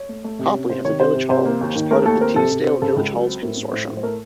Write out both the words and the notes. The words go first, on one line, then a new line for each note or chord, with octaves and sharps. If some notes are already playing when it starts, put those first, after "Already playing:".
Copley has a Village Hall which is part of the Teesdale Village Halls' Consortium.
Already playing: C#5
A3
A3
C3
C#4
C3 C5
D#3 C#5
C3 C5
C3
C3 C5
A#3
D#2
D#3
A3 A#4
D#2 A4
C4 A#4
C3 A4
C3
C4
C#3 A4
C#2
F#3
C4
A2 A#4
A2
A2 C5
A2
C5
A3 A#4